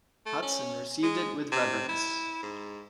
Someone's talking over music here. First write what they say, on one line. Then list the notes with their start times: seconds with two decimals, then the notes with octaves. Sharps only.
Hudson received it with reverence.
0.26 A3
0.42 C#4
1.03 G#3
1.52 C3
1.89 E4
2.43 G#2